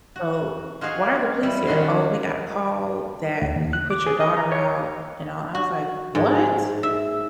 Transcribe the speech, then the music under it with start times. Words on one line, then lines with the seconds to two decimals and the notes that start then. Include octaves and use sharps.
So why are the police here?" "Oh, we got a call that you put your daughter out." And, uh, I was like, "What?"
0.16 F#4
0.81 F4 F#4 G#4 D#5 F5
1.43 G3 E4
1.67 D#3 C#4 D#4 F#4 C6
3.42 D2
3.56 D#2
3.73 F#6
3.90 D6
4.07 G#4
4.20 D#5
4.37 A#5
4.52 C#5
5.55 F#4
6.15 G#2
6.83 E5